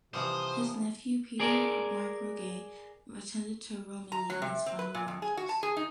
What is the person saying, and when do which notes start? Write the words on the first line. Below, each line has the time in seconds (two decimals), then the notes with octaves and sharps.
His nephew Peter Mark Roget attended to Romilly in his final moments.
0.14 C3 E3 F3 G3 C5 D#6
1.40 G#4 A#4 D5
4.12 A#5
4.30 F#3
4.42 C3
4.66 C4
4.79 B4
4.95 A#2
5.08 F2
5.22 G#4
5.37 F#4
5.49 A5
5.63 G#4
5.77 D#4